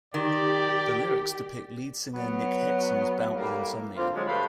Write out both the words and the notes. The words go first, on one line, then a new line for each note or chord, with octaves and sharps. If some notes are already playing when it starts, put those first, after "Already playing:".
The lyrics depict lead singer Nick Hexum's bout with insomnia.
D#3 G4 D5
F#3 B3
A2 G3 A#3
D3 C4 F4
D3 F3 F#3 G#3
G2 A3 B4 C5 F5